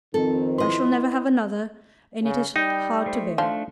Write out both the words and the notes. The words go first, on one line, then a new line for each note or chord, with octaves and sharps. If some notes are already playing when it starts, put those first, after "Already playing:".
I shall never have another, and it is hard to bear.
F2 D#3 C4 A4
E4 B4 D#5 C6
C#3
G3 D#4 G5
A3 C5
F3 A3 D4